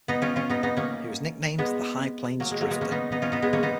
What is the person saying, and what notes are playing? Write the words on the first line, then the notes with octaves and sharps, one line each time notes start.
He was nicknamed the "High Plains Drifter".
B3 D#4
C#4 F4
C#4 F4
B3 D#4
B3 D#4
A#3 C#4
G#3 B3
F#3 A#3
G#3
F#3 A#3
G#3 B3
A#3 C#4
B3 D#4
B3 D#4
C#4 F4
B3 D#4
G#3 B3
A#3 C#4
B3 D#4